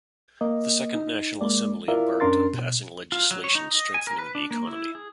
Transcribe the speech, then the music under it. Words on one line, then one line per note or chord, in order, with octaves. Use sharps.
The Second National Assembly embarked on passing legislation strengthening the economy.
A#3 D#5
D#4
G#3 A#3 D5
E4 F4 A#4 D5 E5 F5
F#2 C#4 D4 A#4 C6 A6
B2
F4
F#3
C#5
D#4
D#5
G#5
A#4
B4
D4
A#3
E4
G#4